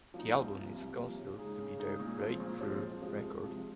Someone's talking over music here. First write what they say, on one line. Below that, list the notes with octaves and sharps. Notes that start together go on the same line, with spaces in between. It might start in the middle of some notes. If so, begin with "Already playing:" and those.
The album is considered to be their breakthrough record.
F3 A#3 D#4
C2
C3 F3 A#3
C2
C3 F3 A#3
C#3
G#3 D#4 G#4
C#3
G#3 D#4 G#4
A#2
F3 G#3 C4
A#2
F3 G#3 C4
F2
C3 F3 G#3
F2
C3 F3 G#3